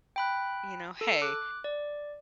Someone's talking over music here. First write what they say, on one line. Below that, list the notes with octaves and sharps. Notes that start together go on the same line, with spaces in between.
you know, "Hey,
G5 B5 F#6
A4
D6 F#6
D5